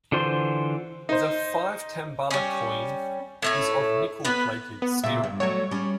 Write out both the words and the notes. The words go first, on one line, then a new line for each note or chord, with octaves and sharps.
The five tambala coin is of nickel-plated steel.
D3 E3 F4 C5 C6
D#4 C5
G3 C#4
A2 A3 C#5
B3 B4
B3
A#2 C#3 E5
G2
F#3 G3 A3 C#5
G3 C#4